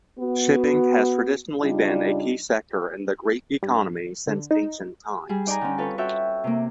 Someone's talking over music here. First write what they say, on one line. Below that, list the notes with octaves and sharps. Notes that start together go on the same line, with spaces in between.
Shipping has traditionally been a key sector in the Greek economy since ancient times.
B3 F#4
C#3 G3 D4 D#4 F4
G2
D3
D#4
G3 G#4
D#4 D5 G5 G#5 A#5
D3 C#4
C4 F4 A4 B4 C#5
F#4 A4 C#5 E5 G5
C3 A#3